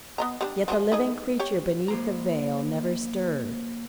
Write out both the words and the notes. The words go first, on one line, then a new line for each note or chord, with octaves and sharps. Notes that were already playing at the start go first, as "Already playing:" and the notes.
Yet the living creature beneath the veil never stirred.
B3 D#5 A#5
G3 B3 D4
F3 F#4 G#4
D#4 G#4 D#5
G4 C#5
A#3 C5 A#5